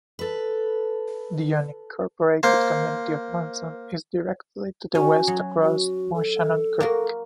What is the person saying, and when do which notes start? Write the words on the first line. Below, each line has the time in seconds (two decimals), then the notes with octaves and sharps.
The unincorporated community of Munson is directly to the west across Moshannon Creek.
0.19 A4 B4
2.43 A#3 C5
4.95 C#4 F#4
5.28 F#3
5.63 F#4
6.14 A4
6.80 A#3 F#4 A#4